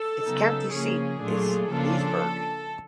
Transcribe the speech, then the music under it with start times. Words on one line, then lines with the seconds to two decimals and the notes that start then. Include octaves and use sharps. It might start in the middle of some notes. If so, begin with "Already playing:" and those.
Its county seat is Leesburg.
Already playing: A4
0.23 C#3 F#3 B3 D#4
0.72 C#3 F3 A#3 C#4 G#4
1.21 A#2 F#3 A3 D4 F4
1.69 C#3 F3 A#3 D4 F4 A4